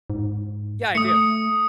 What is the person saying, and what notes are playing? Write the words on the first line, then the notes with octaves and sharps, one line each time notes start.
Yeah, I do.
G#2
A3 D#6 C#7